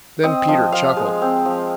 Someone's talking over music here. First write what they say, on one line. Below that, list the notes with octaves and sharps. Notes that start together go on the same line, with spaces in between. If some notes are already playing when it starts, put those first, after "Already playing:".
Then Peter chuckled.
C4 D#5
F3 D#5
F3 F5
G#3
C4
F3